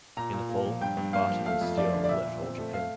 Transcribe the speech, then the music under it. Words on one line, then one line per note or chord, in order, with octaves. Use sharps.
In the fall, Barton and Steele left All Japan.
A#2 A#5
A#2
A#3
F3
G2 G5
G2
A#3 F5
F3
A3 F5
F2
F3 D5
D3
D5
A#2 E5
A#2
C4
A3
F5